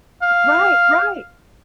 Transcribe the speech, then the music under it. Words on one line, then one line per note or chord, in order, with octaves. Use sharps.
Right, right!
F5